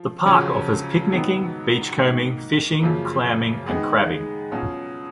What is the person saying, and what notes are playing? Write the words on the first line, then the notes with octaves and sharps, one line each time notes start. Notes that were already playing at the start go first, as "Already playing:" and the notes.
The park offers picnicking, beachcombing, fishing, clamming, and crabbing.
Already playing: F3 F4
F2 C#3 F#3 C#4
G#2 D#3 F#3 B3
G#2 D#3 A#3
F#2 C#3 F3 A#3
D#3 G#3 B3 D#4 G#4
B2 F#3 C#4 F4